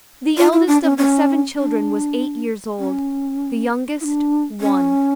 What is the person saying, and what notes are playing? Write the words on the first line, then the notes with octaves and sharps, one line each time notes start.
The eldest of the seven children was eight years old. The youngest, one.
F4
E4
D4
C#4
C#4
D4
C#4
E4
D4
C#4